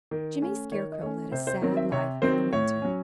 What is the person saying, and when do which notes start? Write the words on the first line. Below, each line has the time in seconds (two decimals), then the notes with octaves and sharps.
Jimmy Scarecrow led a sad life in the winter.
0.11 D#3
0.42 A3 C#4
0.72 D#3 C#5
0.92 D#5
1.01 A3 C#4 C#5
1.32 C3 C5
1.47 C5
1.62 D#3 F#3 C4 C#5
1.77 E5
1.92 C3 C#5
2.22 D#3 F#3 C4 C5
2.53 A2 C#5
2.82 F#3 C#4